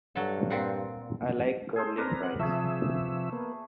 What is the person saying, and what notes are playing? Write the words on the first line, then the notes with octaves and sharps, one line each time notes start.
I like curly fries.
G2 F#3 A4
A#2 C4 F#5
G#4 A4 C5
C4 A#4 B4 D5 A#5
C4 F#5
C3 F3 A3 G#4 E5
A#3 B3